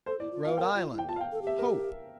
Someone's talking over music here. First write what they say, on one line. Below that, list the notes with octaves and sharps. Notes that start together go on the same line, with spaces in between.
Rhode Island--Hope.
A4 C5
E4 D5
F4
F4 F5
A#4 G5
F4
E4
G5
F4 A5
F5
G5
A4
G4 E5
A#4